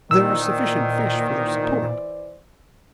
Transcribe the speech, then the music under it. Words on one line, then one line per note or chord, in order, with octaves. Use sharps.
There are sufficient fish for their support.
A#2 D#3 E3 C5 D5 E6